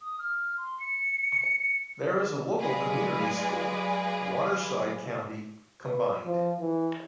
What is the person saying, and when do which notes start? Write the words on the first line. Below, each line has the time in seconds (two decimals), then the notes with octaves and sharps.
There is a local community school, Waterside County Combined.
0.01 D#6
0.19 F6
0.57 C6
0.80 C#7
2.60 F#3 G#3 G#4 B4 D5 F5
5.85 B4
6.26 F3
6.60 E3